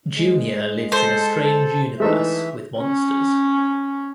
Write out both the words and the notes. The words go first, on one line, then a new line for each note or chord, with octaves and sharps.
Junior lives in a strange universe with monsters.
G#3
A4 C5
E3 G#3 A3 D#4 E5
C#4